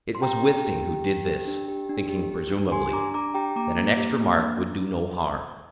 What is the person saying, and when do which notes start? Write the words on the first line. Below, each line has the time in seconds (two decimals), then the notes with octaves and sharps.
It was Wisting who did this, thinking, presumably, that an extra mark would do no harm.
0.15 C6
0.22 G4 G5 A#5
0.43 D4
0.64 G4
0.85 G4
1.05 G4
1.27 G4
1.47 D4
1.68 G4
1.89 D4
2.10 G4
2.30 G4
2.51 D4
2.72 G4 G#5 C6
2.93 D4 A#5 D6
3.14 D4 A#5 D6
3.34 G4 G5 A#5
3.56 A#3 A#5 D6
3.77 A#3
3.97 G4
4.19 A#3
4.39 D4
4.60 D4